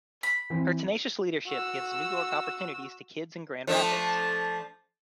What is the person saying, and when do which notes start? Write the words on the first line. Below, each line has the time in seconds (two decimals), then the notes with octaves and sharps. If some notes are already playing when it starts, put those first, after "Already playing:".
Her tenacious leadership gives New York opportunities to kids in Grand Rapids.
0.23 B5
0.50 E3 C4
1.47 F#4 E6
3.67 F3 A3 D4